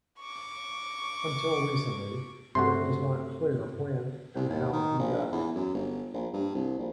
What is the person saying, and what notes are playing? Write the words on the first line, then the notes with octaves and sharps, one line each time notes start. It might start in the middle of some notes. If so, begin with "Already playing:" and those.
Until recently, it was not clear when and how he died.
C#6 D6
G2 C3 A3 F#4 C6
C2
D#2
D#3
A#1
E2
F#2
G1
A#1
G2
C2
A#1